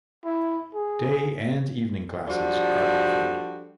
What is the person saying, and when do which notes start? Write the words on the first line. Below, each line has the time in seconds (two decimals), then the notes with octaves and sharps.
Day and evening classes are offered.
0.25 E4
0.75 G#4
2.27 F3 G3 D4 F#4 A4